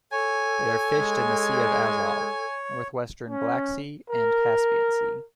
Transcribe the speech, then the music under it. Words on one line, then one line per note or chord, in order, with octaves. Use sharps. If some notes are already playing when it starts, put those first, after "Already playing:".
They are fished in the Sea of Azov, northwestern Black Sea and Caspian Sea.
A4 C#5 G#5
G#3
C#4
A#4